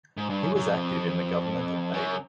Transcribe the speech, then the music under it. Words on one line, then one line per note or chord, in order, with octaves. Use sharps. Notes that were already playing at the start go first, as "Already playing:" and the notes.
He was active in the government of Baden.
G#2
G2
F#2
F#2
F2
F#2